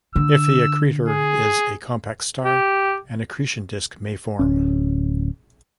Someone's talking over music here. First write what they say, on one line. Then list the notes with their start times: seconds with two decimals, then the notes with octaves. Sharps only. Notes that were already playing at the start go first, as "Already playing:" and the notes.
If the accretor is a compact star, an accretion disk may form.
0.16 D3 E6
1.08 G#4
2.44 G4
4.39 D1 C#4